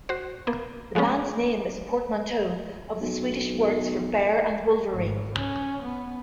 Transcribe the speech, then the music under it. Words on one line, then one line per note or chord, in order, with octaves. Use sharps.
The band's name is a portmanteau of the Swedish words for bear and wolverine.
F#4 C5
A#3 B3
F3 G#3 A3 B3 C#4
B1
G#1
C#4
B3